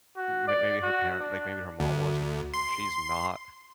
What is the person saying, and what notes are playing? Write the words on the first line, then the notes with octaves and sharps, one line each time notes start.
m m maybe her parent like, maybe her mom was, but she's not,
F#4
D5
F#4
D4
D2
C6